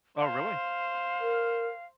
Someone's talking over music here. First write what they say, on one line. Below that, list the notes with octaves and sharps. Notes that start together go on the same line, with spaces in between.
Oh, really?
C5 F5
A#4